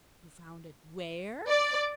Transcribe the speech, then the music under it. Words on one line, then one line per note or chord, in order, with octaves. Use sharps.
"You found it--WHERE?"
D5